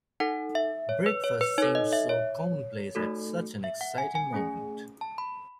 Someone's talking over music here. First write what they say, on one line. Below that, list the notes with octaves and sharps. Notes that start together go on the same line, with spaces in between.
Breakfast seems so commonplace at such an exciting moment.
D#4 A4 F#5
E5
C#5
B4
C#5
B4
D#4 A4 C#5
D#5
E5
C#5
A3 D#4 F#4 A4
E5
F#5
G#5
G#5
A3 C#4 G#4
A5
B5